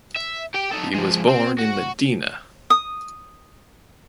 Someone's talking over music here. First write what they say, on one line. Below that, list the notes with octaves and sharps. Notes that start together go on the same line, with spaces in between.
He was born in Medina.
E5
G4 G5
D#4 A4
F3 G#3
C4
F#4
D#6